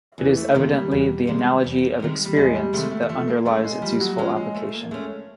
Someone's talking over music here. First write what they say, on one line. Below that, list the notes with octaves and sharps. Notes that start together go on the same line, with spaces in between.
It is evidently the "analogy of experience" that underlies its useful application.
E2 E3
A3
C3 D#3 G#3 A#3
G3
E2
C3 D#3 G#3
E2
C3 D#3 G#3
G3
E2 G#3
G3
C3 D#3 G#3 A3
A3
F3 A3
A#3
G#3 A3 C#4
G#3
F3 G3
F#3
F3 G#3 C#4
G#3
F3 A3
A#3
G#3 A3 C#4